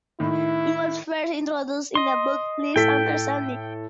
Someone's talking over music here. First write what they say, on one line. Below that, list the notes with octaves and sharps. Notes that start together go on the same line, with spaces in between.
It was first introduced in the book "Please Understand Me".
A2 D#3 E4
D#5 C6
A2 A4 G5 B6